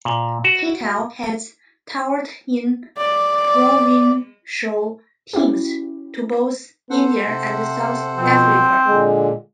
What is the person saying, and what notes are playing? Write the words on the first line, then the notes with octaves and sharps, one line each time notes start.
Patel has toured in provincial teams to both India and South Africa.
A#2
F#4
D5
C#4 E4 F#4 G4
B3 A4 C5 F#5
C3
B2 F3 C4
A#2 D3 G#3